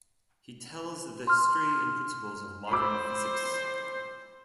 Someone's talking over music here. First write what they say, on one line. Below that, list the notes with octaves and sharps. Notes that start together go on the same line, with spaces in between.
He tells the history and principles of modern physics.
C6 F6
C5 B5 D6 E6